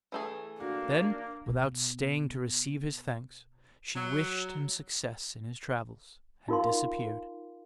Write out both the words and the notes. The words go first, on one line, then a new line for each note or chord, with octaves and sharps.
Then, without staying to receive his thanks, she wished him success in his travels and disappeared.
E3 A3 G#4
A#3 D4 F#4
B2 B3
F#3
D#4 F4 A#4 F5 C6